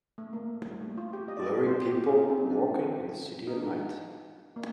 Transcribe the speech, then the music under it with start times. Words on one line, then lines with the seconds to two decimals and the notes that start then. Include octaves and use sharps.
Blurry people walking in the city at night.
0.18 A3
0.33 A#3
0.65 G3
0.81 A3
0.97 F4
1.13 G4
1.28 D#5
1.37 D5
1.45 D#5
1.66 C5
1.87 G4
2.08 D#4
2.30 C4
2.50 D4
3.47 D#4
3.57 D4
4.56 A#3